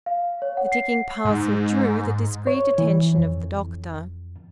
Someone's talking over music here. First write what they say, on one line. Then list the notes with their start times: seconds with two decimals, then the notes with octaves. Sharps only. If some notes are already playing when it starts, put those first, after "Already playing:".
The ticking parcel drew the discreet attention of the doctor.
0.06 F5
0.42 C#5
0.57 F#5
0.72 C7
1.25 G#2
2.47 C#5
2.78 E3
3.17 F2